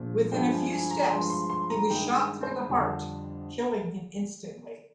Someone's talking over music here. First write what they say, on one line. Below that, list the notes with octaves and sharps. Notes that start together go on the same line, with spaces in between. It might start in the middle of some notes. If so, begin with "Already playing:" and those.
Within a few steps, he was shot through the heart, killing him instantly.
Already playing: A#1 A#2 F3
G2 F3 G#3 D4 G5
G#5
G#5
A#5
G2 F3 G#3 C6
C6
C6
A#5
G2 D#3 G#3 D#4 G5
C5
F2 D3 G3 D4